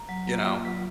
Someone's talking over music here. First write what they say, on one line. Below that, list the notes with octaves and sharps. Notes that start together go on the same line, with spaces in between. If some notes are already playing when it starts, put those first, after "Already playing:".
you know?"
Already playing: A#5
F#3
A#3
F4
F#3